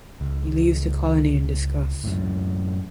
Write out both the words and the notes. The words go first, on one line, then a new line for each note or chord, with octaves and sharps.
He leaves the colony in disgust.
C#2
F#2 A2